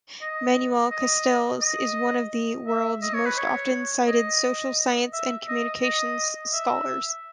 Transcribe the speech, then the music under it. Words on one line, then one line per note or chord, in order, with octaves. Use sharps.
Manuel Castells is one of the world's most often-cited social science and communications scholars.
D#5
D#5
D#5
E5
D#5
C#5
B4
C#5
D#5
E5
D#5
D#5
E5